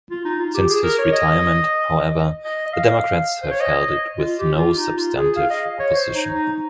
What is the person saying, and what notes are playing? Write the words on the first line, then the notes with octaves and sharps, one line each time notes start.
Since his retirement, however, the Democrats have held it with no substantive opposition.
F4
D#4
F4
G4
G#4
A#4
C#5
D#5
D#5
D#5
F5
C5
C#5
D#5
F4
G4
F4
D#4
F4
G#4
F5
D#5
C#5
C5
D#4
D#4